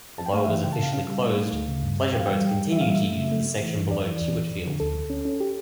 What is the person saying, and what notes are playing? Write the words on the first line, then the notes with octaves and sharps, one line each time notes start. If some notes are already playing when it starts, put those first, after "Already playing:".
Although it was officially closed, pleasure boats continued to use the section below Tewitfield.
A5
G5
A3 F5
E5
E3 F5
C#3 G5
A5
C#3
F5
C#4 F5
G3
A3
A3
D2
C#3
G2
G2
E2 G5
F5
G3 G5
G3
G3
E3 E5
F5
G3 E5
A3
C#3
A3
A3
E3
G2
F2 D5
E3
E2
E2
F2
D3
D2 A4
D2
C#4
C#4
G4